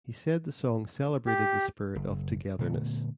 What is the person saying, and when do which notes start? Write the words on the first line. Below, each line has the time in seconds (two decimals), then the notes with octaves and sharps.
He said the song celebrated the spirit of togetherness.
1.27 G4
1.96 F#1
2.59 A#2 D3 A3 B3